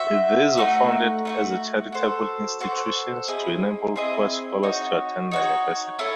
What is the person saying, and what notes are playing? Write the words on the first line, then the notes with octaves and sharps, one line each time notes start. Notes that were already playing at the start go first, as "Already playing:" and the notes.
These were founded as charitable institutions to enable poor scholars to attend the University.
Already playing: F#4 C5 E5
A3 D#4 F#4
A3 D#4 F#4
F#4 A4 C5
F#4 A4 C5
C4 E4 G#4 D#5
C4 E4 G#4 D#5
D#4 F#4 C#5
D#4 F#4 C#5
E4 A4 C#5